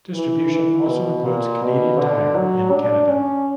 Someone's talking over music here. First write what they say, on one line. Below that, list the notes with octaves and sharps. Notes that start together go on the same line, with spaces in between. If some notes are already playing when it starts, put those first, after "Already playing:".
Distribution also includes Canadian Tire in Canada.
E3
E3
B2
A#2
B2
D3
F#3
D4
C#4